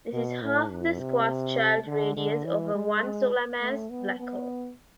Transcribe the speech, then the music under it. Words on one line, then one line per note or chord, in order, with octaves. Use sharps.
This is half the Schwarzschild radius of a one solar mass black hole.
B2
A2
F2
C3
D3
D3
E3
G#3
G#3
A3
B3
B3